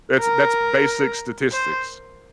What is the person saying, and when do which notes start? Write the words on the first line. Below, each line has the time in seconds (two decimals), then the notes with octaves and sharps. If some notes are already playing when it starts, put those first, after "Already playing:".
that's that's basic statistics.
0.20 A#4
1.53 C5